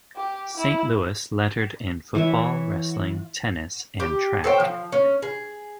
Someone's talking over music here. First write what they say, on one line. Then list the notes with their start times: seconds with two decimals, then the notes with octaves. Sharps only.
St.Louis lettered in football, wrestling, tennis, and track.
0.17 G4
0.57 E4
2.15 E3 C#5 E5
4.00 G4
4.44 A4 C5 C#5 G5
4.60 F3
4.92 C#4
5.22 G#4